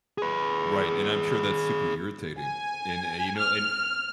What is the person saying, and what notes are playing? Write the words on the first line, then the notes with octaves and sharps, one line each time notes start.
Right and I'm sure that's super irritating and, eh you know, and
G#4 B4
G#5
F6